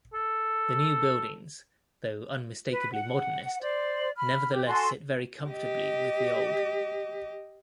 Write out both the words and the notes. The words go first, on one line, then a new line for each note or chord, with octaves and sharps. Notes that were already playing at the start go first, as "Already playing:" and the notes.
The new buildings, though unmistakably Modernist, nevertheless sit very comfortably with the old.
A4
B4
F#5
C5 D5
B5 F6
G4
F#4 A4 G#5 C6
G4 D#5